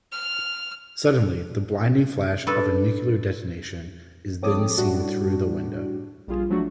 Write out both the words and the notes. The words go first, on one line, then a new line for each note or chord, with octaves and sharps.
Suddenly, the blinding flash of a nuclear detonation is then seen through the window.
F6
G2 A4 B4
F3 C4 A4 C#5 D6 D#6
A2 G3 D4 F#4
A#1 G3 F4 G#4
F3 F#3 A3 D4 F#4